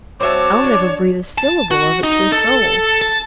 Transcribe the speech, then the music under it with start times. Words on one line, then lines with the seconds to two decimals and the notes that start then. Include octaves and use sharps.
I'll never breathe a syllable of it to a soul!
0.20 C4 F#4 C#5 E5 A5 D6
0.64 D4
1.38 A5
1.71 F#4
2.04 D#4
2.32 A4
3.01 A5